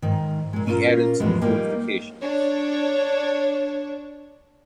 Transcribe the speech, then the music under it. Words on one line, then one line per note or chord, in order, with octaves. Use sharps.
He added to the fortifications.
G#2 D#3
A#2 G#3
A#2 C#4 D#4 F4 A#4
E2 A2 F3 G3 G#3 B3
G3 G#3 A#3 D#4 F4 G4
D4 C#5